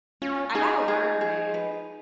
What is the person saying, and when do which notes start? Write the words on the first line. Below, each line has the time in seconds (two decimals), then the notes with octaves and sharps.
I gotta learn, man.
0.22 C#4 F4
0.55 D#4 G#4
0.88 G#4
1.21 G#4
1.54 B4